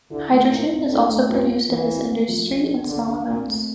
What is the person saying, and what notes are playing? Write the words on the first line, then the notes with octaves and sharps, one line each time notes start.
Hydrogen is also produced in this industry in small amounts.
D3 E4
A3
A#2 E4
C4
A2 D4
A3
G2 F4
A#3
E3 E4
C4
A3
F3
F4
D4
D3 A4
D4
A#2 C4
A3